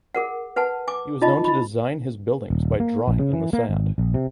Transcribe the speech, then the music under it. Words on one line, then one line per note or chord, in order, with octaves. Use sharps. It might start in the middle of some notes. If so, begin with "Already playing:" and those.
He was known to design his buildings by drawing in the sand.
G#4 A#4 F#5
B4 F#5 G#5 A5
G#5 D6
D#4 F4 D#5 A5 B5
E4 B5
D#1
A#3
A#1
C#3
E3
A#3
G#1
A#1
C3